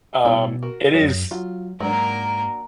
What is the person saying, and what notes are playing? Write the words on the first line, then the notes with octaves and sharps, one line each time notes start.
Um, it is
B2 G3 E4 C#5
F#4 A#4
F#2 G#4 A#4 C#5
F#3 F4
G#2 F#3 A#3 D4 A#4